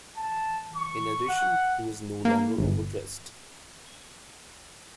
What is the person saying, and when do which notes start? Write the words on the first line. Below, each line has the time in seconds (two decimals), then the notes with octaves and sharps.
In addition he was no longer overdressed.
0.17 A5
0.76 C#6
1.29 F#5
2.25 A#3
2.58 G1